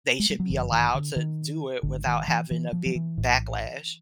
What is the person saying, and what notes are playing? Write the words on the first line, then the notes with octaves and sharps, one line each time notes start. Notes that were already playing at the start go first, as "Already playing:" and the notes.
they should be allowed to do it without having a big backlash.
G#3
G3
F#3
G1 F#2 D3 F3
D#3
D3
D#3
G#1 G#2 D3
D#3
E3
E3
F3
F3
E3
A#1 A2